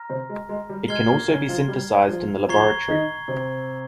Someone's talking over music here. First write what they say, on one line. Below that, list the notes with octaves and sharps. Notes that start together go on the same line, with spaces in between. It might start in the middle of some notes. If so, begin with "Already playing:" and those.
It can also be synthesized in the laboratory.
Already playing: A#5 F6 A#6
C3 C4
G#3
G#3
G3
G#3 F6 G#6 C7 G7
A#2 A#3
C#3 C#4
F3 F4
G3 G4
F3 F4
F3 F4 A#5 C#6 G#6 C7 G7
D#3 D#4
C3 C4